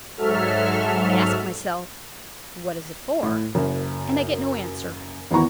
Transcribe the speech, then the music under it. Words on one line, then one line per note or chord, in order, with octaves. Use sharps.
I ask myself, What is it for? and I get no answer.
G#2 F#3 A4 E5 F6
A2
F#1 F#2
G#1 E2 B3 E4 A#5 C#6